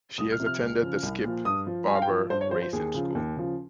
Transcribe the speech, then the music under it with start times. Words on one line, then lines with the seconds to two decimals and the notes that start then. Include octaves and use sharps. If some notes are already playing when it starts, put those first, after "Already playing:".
She has attended the Skip Barber Racing School.
0.18 C2 D#6
0.32 F6
0.39 C3 F3
0.46 F6
0.61 C#2
0.81 C#3 F3
1.03 C2
1.24 A#2 F3
1.45 G2 D#6
1.67 F3
1.88 G2 G#5
1.95 F5
2.02 G5
2.09 F3
2.30 G2 C5
2.41 C#5
2.51 F3 C5
2.62 C5
2.73 D#2 G#4
2.94 C#3 F3
3.15 D#2
3.36 C#3 F3